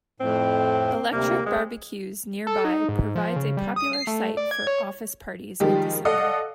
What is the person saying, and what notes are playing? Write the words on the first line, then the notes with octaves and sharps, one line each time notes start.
Electric barbecues nearby provides a popular site for office parties in December.
F2 A2 C4
D2 C3 G3 A#3
G#3 C4
A4
D#4
G#2
F3
C#3
G3
D#6
C7
A3
D5
G#6
C#5
D#3 F3 G3 G#3 G4
A4 D5 D#5 F5 F#5